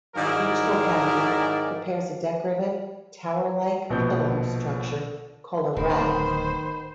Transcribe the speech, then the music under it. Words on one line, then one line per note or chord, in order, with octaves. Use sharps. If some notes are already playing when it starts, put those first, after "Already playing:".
Each locality prepares a decorative tower-like pillar structure called a 'rath'.
G#2 D#3 F#3 E4 A#4 D5
A#1 B2 F3 G6
D1 D#3 B3 C5 B5